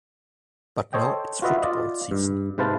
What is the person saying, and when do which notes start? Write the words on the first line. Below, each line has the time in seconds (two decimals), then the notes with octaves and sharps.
But now it's football season.
0.93 A4 C5 C#5 D#5 G5
1.42 F4 F#4 B4 D#5 E5
1.62 F4 D5 D#5
2.11 G2
2.58 G#2 C3 B4 C5 F5 A5